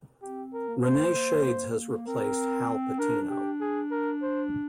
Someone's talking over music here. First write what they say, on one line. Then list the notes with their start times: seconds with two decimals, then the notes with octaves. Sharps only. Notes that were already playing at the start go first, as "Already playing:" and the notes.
Rene Shades has replaced "Hal Patino".
0.22 C4 G4
0.53 A#4
0.68 A#3
0.84 C5
1.14 A#3
2.07 C4 A#4
2.99 D4 A#4
3.30 G4
3.61 G#4
3.91 A#4
4.22 C5